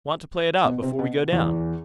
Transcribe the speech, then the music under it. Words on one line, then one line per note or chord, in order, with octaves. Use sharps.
"Want to play it out, before we go down?"
B2 B3
C3 C4
B2 B3
E2 E3